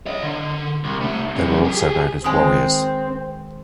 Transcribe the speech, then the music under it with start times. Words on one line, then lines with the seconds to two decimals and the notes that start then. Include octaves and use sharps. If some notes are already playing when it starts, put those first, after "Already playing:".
They were also known as warriors.
0.06 C#5 D#5
0.22 D3
0.84 C2
1.01 C3 A3
1.35 F#2 C3
1.64 G4 G#4
2.24 D#3 G#3 C4 G#5 B5 D#6